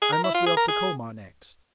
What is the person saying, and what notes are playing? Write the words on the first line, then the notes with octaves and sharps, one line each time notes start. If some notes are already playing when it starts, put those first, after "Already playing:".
'I must be off to Colmar next.'
G#4
A#4
E4
F4
G#4
A#4
G#4